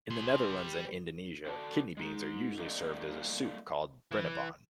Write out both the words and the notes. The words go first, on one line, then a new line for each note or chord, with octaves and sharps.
In the Netherlands and Indonesia, kidney beans are usually served as soup called "brenebon".
G3 C6
D3 D4 F#4 A5
G#3 D#4
G3 A3 A#3 D4 G#4 D#5
E3